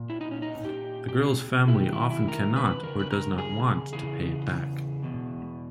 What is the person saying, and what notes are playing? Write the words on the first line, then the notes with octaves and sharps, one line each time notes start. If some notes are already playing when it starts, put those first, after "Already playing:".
The girl's family often cannot or does not want to pay it back.
Already playing: A#2
E4
D#4
C#4
D#4
A#2 G4
G4
G#4
E4
G2 D#3 G4
E4
E4
A#4
B4
E2 C#3 A#4
B4
A#4
G#4
E2 C#3 E3 G#4
E2 B2